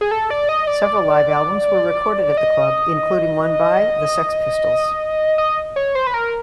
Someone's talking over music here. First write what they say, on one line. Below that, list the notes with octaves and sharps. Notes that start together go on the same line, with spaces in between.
Several live albums were recorded at the club, including one by the Sex Pistols.
G#4
A4
D5
D#5
D5
D#5
D#5
C#5
C5
B4
A#4